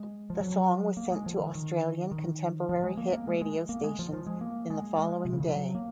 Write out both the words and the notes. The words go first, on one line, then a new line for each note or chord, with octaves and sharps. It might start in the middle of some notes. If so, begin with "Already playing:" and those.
The song was sent to Australian contemporary hit radio stations in the following day.
Already playing: G#3
F3
F#3
A#3
G#3
F3
D#3
D#3
D#3
F3
G#3
A#3
A#3
G#3
G#3
A#3
G#3
F3
F3
G#3
A#3
G#3
G#3
C3
C#3
D#3
F3
F#3
A#3